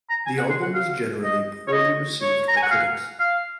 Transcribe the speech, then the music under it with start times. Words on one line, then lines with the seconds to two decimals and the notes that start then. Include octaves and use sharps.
The album was generally poorly received by critics.
0.09 A#5
0.26 G#5
0.38 F#5
0.50 C6
0.62 F#5
0.74 F5
1.23 D#5
1.68 C#5
1.72 D#5
2.22 C#5
2.48 A#5
2.56 G#5
2.63 F#5
2.71 F5
3.19 F5